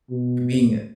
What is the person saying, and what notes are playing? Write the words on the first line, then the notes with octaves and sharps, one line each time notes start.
you're being
B2